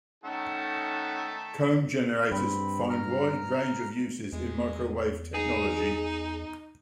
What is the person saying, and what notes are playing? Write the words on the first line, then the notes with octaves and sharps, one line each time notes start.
Comb generators find wide range of uses in microwave technology.
D#3 A3 C#4 D#4 A4 F#5
G2 C4 B5
A#5 F6
E2 G#3
D#4 G#4